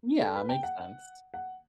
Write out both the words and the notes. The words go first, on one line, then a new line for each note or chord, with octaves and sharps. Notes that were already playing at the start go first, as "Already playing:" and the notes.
Yeah, makes sense.
A4
B4
G5
F#5
F#5